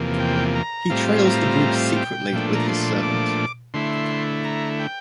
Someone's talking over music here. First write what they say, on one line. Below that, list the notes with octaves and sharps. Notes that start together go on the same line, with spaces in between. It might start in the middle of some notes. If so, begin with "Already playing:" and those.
He trails the group secretly with his servant.
Already playing: E2 C3 F3 A#3
G5
A#5
A2 G3 C4 F4
A#5
G5
A#2 F3 A3 D4
A#5
C6
D6
D3 A3 E4 C6
A#5
G5